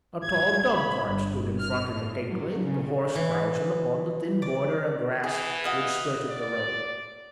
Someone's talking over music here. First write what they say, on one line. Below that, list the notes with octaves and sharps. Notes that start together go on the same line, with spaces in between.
A tall dog-cart stood in front of the gateway, the horse browsing upon the thin border of grass which skirted the road.
G#6
B5
G1
F6
A2
F#3
C#3
E3
D5
E3 G#4
F#4 D#5 F5
D5